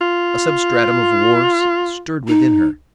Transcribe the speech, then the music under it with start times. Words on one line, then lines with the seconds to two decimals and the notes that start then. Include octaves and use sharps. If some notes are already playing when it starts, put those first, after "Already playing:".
A substratum of war stirred within her.
0.01 F4
2.28 D#4